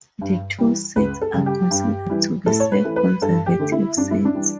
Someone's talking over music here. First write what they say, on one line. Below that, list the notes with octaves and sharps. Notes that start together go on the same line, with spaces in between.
The two seats are considered to be safe Conservative seats.
G2
E3 G3
C#2 B4
A4
C#3 G3
G4
G2
E3 G3
A2 A4
C#5
B4
E3 A3
B4
G2 A4
G4
D3 A3
E4
G2 D4
E4
D4
E3 G3